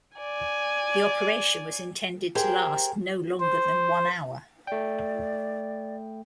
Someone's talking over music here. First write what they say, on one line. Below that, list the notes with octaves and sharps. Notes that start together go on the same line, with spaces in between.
The operation was intended to last no longer than one hour.
D5 G#5
G4 G#4 A#4 C5
C5
A3 D5 G5